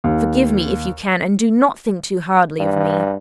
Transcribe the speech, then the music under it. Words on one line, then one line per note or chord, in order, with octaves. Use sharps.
Forgive me if you can, and do not think too hardly of me.
D#2
G2